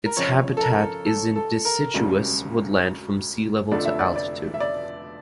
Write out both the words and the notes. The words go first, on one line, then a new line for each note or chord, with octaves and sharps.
Its habitat is in deciduous woodland from sea level to altitude.
A#4
F2 C#3 F3 C#5
A4
A#4
A4
A4
A#4
E1 D2 C#3 G3
F1 F2 D3 A3 D5
E5
D5
D5
E5
D5